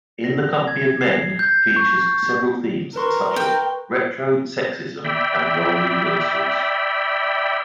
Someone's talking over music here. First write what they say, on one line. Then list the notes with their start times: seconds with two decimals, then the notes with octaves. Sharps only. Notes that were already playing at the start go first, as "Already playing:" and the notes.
"In the Company of Men" features several themes such as retro-sexism and role reversals.
0.24 A#6
0.67 G#6
1.01 C7
1.39 G6
1.76 C#6
2.96 A#4 B4 C6 C#6
3.36 G5
5.05 D5 E5 G5 B5